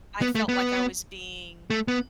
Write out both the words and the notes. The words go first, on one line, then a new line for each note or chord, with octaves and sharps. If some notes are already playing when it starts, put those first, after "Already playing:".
I felt like I was being,
B3
A3
B3
A3
B3